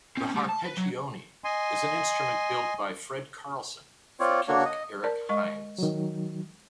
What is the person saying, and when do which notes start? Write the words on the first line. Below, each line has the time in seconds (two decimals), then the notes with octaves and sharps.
The H'arpeggione is an instrument built by Fred Carlson for Killick Erik Hinds.
0.17 C4 C#4
0.34 G3 A3
0.49 A5
0.65 B4
0.77 F#3
1.44 D#5 G#5 C6
4.20 C4 F4 C#5 D5
4.48 A#3 D4 F#4 C#5
4.65 D#5
5.03 A#4 D5 A5
5.29 G#3 D#5 C#6
5.78 D#3 F#3